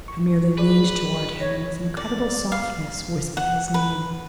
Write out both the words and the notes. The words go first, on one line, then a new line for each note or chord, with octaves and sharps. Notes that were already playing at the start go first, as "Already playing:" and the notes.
I merely leaned toward him and with incredible softness whispered his name.
C#6
G#4 B4 D5
C#5 A#6
D5
F5
F#5
B4